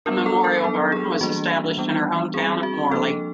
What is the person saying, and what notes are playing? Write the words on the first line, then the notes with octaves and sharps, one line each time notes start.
A memorial garden was established in her home town of Morley.
G3 B3 D4 A#4
A4
A#4
F#3 B3 D4 A4
G#4
E3 G3 A#3 D4 F#4
E3 G3 B3 D4
G3 C4 G#4
F#4
F3 A#3 D4 A4